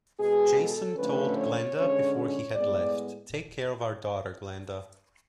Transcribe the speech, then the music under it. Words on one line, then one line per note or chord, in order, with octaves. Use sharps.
Jason told Glenda before he had left, Take care of our daughter, Glenda.
B2 G#3 B3 G#4
A4
D3 F3 A3 C#4 B4
C#5
D3 G#3 C#4 C#5
C#5
A2 G#3 B3 D5